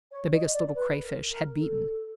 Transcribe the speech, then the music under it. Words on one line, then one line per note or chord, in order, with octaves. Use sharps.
The Biggest Little Crayfish had beaten.
C#5
D#5
D5
B4
A#4
A#4
A4